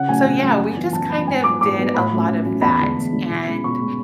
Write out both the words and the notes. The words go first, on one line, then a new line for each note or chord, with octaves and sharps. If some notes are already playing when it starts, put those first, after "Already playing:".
So, yeah, we just, kind of, did a lot of that, and,
Already playing: C#3 F#5
F#3 A3 C#4 G#5
C#3
F#3 A3 C#4
F#2
E3 B3 D4
F#2 A5
E3 B3 D4 B5
G#2 G#5
F#3 B3 D4 D6
G#2 D6
F#3 B3 D4
A2 B5
F#3 A3 C#4
A2
F#3 A3 C#4
E2 B5
D3 G#3 D4
E2
D3 G#3 D4
B2
G#3 C#4
B2 C#6
G#3 C#4